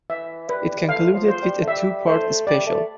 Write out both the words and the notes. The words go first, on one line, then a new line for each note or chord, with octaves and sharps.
It concluded with a two-part special.
E3 E5
G3 B4
A3 F5
F3
C5
G3
A3
G3 E5
A3 C5
G3 D5
A3